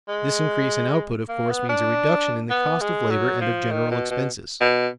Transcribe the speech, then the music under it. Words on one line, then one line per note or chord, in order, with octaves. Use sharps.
This increase in output, of course, means a reduction in the cost of labor and of general expenses.
G#3
A#3
B3
D4
B3
G#3
F#3
F3
D#3
B2
B2
B2